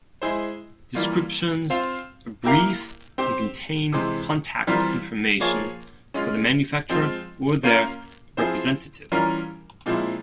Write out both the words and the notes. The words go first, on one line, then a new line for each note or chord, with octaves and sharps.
Descriptions are brief and contain contact information for the manufacturer or their representative.
G#3 E4 G#4 C5
E3 G3 A#3 F4
C4 F4 C5 F5
A#3 E4 G4 A#4 F5
C4 G4 C5
C3 E3 G#3 C4
E3 G3 C4 F4 A#4
F3 A#3 F4 G#4 C#5
G#3 C#4 F4
F3 G#3 C4 F4
A#3 C#4 F4 A#4 F5
F3 C4 E4 G#4 C5
E3 G3 C#4 F4 A#4
A#2 F3 G#3 C4 E4